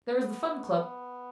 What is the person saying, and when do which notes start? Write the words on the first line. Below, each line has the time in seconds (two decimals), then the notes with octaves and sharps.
There was the Fun Club.
0.14 B3